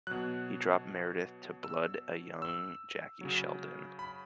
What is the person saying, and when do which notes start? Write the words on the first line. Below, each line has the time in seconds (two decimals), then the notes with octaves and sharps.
He dropped Meredith to blood a young Jackie Sheldon.
0.07 B2 F#3 F#6
1.64 E6
2.42 E6
3.21 C#3 F#3
3.99 B5